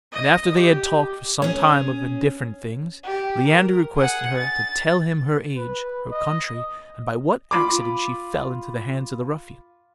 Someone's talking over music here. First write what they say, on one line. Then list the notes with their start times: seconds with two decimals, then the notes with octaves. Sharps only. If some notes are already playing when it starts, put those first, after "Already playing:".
And after they had talked for some time of indifferent things, Leander requested her to tell him her age, her country, and by what accident she fell into the hands of the ruffians.
0.12 D#5
0.54 G4
1.42 C#4 G#4 C#5
3.03 G4
3.47 A#4
3.96 G#4 F#5
4.37 A6
5.56 B4
6.11 D#5
7.51 F4 B5 D6